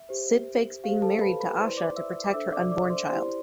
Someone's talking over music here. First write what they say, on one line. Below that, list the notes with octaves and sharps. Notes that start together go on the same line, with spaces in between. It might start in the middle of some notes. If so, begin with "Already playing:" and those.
Sid fakes being married to Asha to protect her unborn child.
Already playing: E5
G4 C5
G4 C5 F5
A4 A5
B4 B5
B4 B5
E4 B4 C5 D5 C6
D5 D6
E5 E6
D6
D4 A4 C5 E5 E6
D5 D6
D5 D6
C5 C6
E4 G4 C5 D5 C6